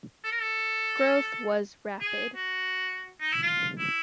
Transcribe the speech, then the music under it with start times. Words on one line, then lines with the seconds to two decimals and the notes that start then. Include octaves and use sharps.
Growth was rapid.
0.24 A4
0.32 A#4
0.41 A4
2.01 G#4
2.36 F#4
3.21 D#4
3.32 E4
3.43 F4
3.78 E4